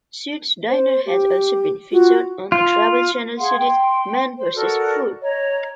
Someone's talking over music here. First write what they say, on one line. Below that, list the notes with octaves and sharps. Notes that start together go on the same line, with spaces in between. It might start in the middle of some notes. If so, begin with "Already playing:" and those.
Sid's Diner has also been featured on the Travel Channel series "Man versus Food".
C5
G4
F4 F#4
F4
G#4 F5 F#5 C6
G5 C6
C5
F#4 A4 A#4 D5
C#5 D#5 A#5